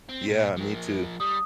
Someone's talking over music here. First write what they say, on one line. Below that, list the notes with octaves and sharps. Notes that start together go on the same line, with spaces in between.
Yeah, me too.
C4
A#2
F3 A#4
G3 D#6